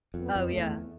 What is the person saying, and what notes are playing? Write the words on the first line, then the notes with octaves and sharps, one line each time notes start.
Oh, yeah.
F2
B3
F2
A3
E2